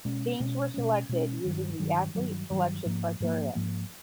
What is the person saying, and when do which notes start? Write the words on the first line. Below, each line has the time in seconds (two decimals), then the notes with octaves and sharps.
Teams were selected using the Athlete Selection criteria.
0.05 B2 G#3 C#4
0.40 B2 G#3 C#4
0.74 B2 G#3 C#4
1.09 B2 G#3 C#4
1.45 G2 D#3 F#3
1.80 G2 D#3 F#3
2.15 G2 D#3 F#3
2.50 G2 D#3 F#3
2.86 G#2 F3 A#3
3.20 G#2 F3 A#3
3.55 G#2 F3 A#3